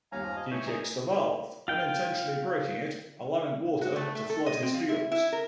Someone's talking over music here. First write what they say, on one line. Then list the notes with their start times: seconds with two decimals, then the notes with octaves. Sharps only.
He kicks the valve, unintentionally breaking it, allowing water to flood his fields.
0.12 G1 D#2 C#4 G4 F5 G#5 A#5
0.24 F3 F6
0.37 D#5
0.51 E3 C#5 G6
0.67 D#4 G#5 A#5
1.68 F4 G5
3.81 F#4
3.96 A3
4.15 A3
4.30 A4
4.46 D#5
4.63 C4
4.74 F3
4.89 E4
5.12 E4
5.32 A#4